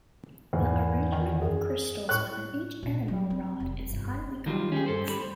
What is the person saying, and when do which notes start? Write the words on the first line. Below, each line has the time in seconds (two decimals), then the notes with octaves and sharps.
The arrangement of crystals within each enamel rod is highly complex.
0.53 E2 G#2
1.12 D#3
1.42 F#2 G#4
2.09 A2 C#6 F#6
2.83 A#2
3.08 F#3
3.30 C4
3.60 F1
3.90 G1
4.46 D#3 F#3 G3 F4
4.72 C#4 G4 G#4
4.86 G2 A4 C5
5.07 G3 B5
5.20 C5